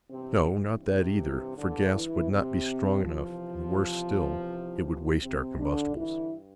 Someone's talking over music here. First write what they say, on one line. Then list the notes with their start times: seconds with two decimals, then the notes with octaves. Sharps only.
"No, not that either, for gas would not be strong enough; and, worse still, it would waste our combustibles."
0.11 G2 C3 E3 C4
0.84 C3 C4
1.57 D3 D4
1.94 E3 E4
2.30 C3 C4
3.03 E2 C3 E3 F3
5.23 C3 C4
5.59 D3 D4
5.96 G2 D3 E3 E4